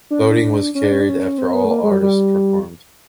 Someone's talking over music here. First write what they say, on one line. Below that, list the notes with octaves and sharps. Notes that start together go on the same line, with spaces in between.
Voting was carried after all artists performed.
D4
C#4
D4
C#4
D4
C#4
D4
C#4
C4
B3
A3
A#3
G#3
G3
G3